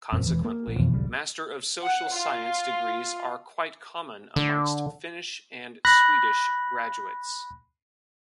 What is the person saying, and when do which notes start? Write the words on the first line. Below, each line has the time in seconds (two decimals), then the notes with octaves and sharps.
Consequently, Master of Social Science degrees are quite common amongst Finnish and Swedish graduates.
0.12 E1 F#2 A#2 C4
0.26 E1 A#1 E3
0.45 A#3
0.67 A1
0.79 F2 B2 E3 F3
0.93 D#1 A#1 C#3 G3
1.83 F#5
2.12 F4
4.36 D3
5.85 B5 F#6 A#6